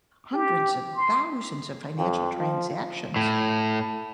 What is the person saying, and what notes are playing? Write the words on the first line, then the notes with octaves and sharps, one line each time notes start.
hundreds and thousands of financial transactions,
G4
C6
F2
F3
A2